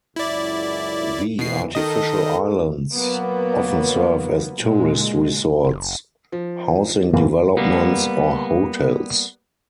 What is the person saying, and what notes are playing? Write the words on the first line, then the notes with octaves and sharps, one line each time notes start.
The artificial islands often serve as tourist resorts, housing developments, or hotels.
C#2 F#2 E4 D5
B2 E3 C7
D#3 A4 D#5
F#3 A#3 B3
A#2 G#3
F#1
F3
F#2 A2 C#3 E3 A#3 B3
G3 A#3 B3